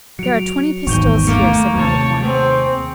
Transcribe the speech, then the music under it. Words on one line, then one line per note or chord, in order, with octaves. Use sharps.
"There are twenty pistoles here," said Malicorne.
F#3 C#7 D7 F7
G#1 E2 D#3 B3 C#6 G6 G7
A3 A#3 D6 C#7 D7 G7
D#2 C3 C#5 A5
C4 G#4